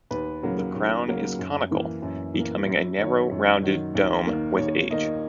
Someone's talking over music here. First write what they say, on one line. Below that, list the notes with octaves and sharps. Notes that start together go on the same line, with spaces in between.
The crown is conical, becoming a narrow rounded dome with age.
D#2 B4
C#3 F#3 A#3
D#2
C#3 F#3 A#3
F#2
E3 A#3
F#2
E3
A#3
F#2
D#3 F#3 C#5
F#2
D#3 F#3
D#2
D#3 A#3
D#2 C#5
D#3 A#3 D#5